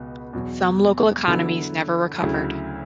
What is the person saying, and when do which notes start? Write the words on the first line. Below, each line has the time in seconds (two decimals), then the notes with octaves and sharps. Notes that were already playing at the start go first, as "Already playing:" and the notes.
Some local economies never recovered.
Already playing: C#2 B2 B3
0.33 E2 B2 F#3
1.28 D3 F#3 B3 E4 A4
2.22 D2 C#3 F#3 A3 E4